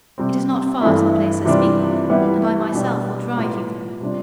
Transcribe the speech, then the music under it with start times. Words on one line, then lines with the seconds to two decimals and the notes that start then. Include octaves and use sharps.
It is not far to the place I speak of, and I myself will drive you there.
0.18 C3 G3 C4
0.81 G2 E3 A3 E4
1.45 C3 E3 G3 D4 F4
2.09 E3 G3 B3 E4 G4
2.72 B2 G3 D4 G4
3.37 A2 G3 B3 F4
4.01 C3 G3 D4 F4